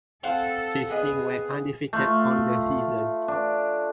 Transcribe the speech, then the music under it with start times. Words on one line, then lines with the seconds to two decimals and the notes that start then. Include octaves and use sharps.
His team went undefeated on the season.
0.24 C4 A4 F5 F#5
0.90 B3 G#4 D#5
1.93 A3 F4
3.28 D4